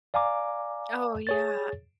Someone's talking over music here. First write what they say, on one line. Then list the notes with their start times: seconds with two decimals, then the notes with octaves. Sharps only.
Oh, yeah.
0.14 D5 F5 G#5 A#5 D6
1.27 G#4 C#5 A6